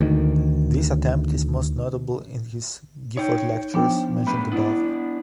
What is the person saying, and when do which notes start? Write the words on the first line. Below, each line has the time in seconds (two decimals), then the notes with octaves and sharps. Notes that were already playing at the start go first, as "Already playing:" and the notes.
This attempt is most notable in his Gifford Lectures, mentioned above.
0.01 D2 D#3
3.17 D#4 C#5 G5
3.74 F3 B3 D4 G5
4.27 A3 D4 B4 B5
4.52 B3 D4 E4 D5